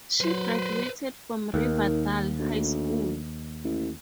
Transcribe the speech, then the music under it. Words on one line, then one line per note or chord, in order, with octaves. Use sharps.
She graduated from Riverdale High School.
F#3 B4 C5
D#2 D#3
D2
A1